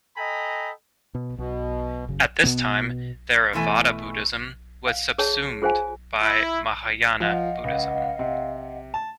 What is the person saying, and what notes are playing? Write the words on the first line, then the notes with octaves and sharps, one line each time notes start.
At this time, Theravada Buddhism was subsumed by Mahayana Buddhism.
A4 D#5 G5 G#5 A#5 B5
B2
B1 B2
F#1 C#3
B2 B3
B2 E3 A3 G#5
F5
G#4 C#5 A5
F4 G#4 C5 F5 G#5
E4
F3 D#5 F5 F#5
C#2
C3
A5